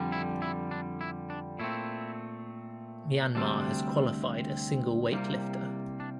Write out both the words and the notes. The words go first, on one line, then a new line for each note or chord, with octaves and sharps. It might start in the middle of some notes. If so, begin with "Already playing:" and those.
Myanmar has qualified a single weightlifter.
Already playing: F2 D3 G3
E4
E4
D4
E4
D4
A#2 A3 C4 E4
D2 C3 G3 C4 D4
C2 C3 G3 A#3
D4